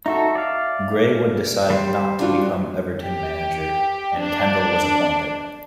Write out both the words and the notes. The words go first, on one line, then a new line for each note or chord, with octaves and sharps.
Gray would decide not to become Everton manager and Kendall was appointed.
D#4 F#4 A4 E5
D5 F5
G3 C5
D4 F4 F#4
G4
D4